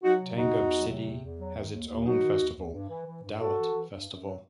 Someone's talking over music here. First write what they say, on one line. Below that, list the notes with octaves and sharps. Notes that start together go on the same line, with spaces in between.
Tangub City has its own festival - Dalit Festival.
F#3 D#4 F#4
C3
E2 D#4 F#4
E2
F#3
C3
E2
E2
F#3
D#3
D#2
D#2
F#3 D#4 F#4
D#3
D#2
D#2
G2
E3
E3
G2
G2 F#4 A4
E3
E3
G2
F#2
F#3